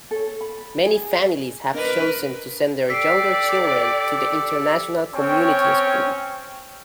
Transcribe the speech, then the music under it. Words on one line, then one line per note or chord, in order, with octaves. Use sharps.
Many families have chosen to send their younger children to the International Community School.
A4 C#5
B5
G#4
D4 A#4 B4 D5 D#5
G4 A4 D5 B6 C7 D7
C4 C#4 C#5 G5